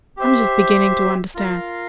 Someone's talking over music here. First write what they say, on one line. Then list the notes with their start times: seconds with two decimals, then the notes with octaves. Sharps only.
I am just beginning to understand.
0.17 G4 C5 E5
1.35 F4 A#4 F5